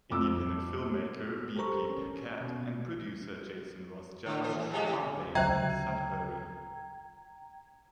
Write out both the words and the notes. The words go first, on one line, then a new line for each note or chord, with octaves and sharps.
Independent filmmaker B. P. Paquette and producer Jason Ross Jallet are based in Sudbury.
F2 D6 E6
G4 A4 A#4 C5 A#5 C#6
C#4
B2
D3
E3 C5
E3
F3 G#3 G4
A2
D2 C#3 F#3 C5 E5 G5 A#5 G#6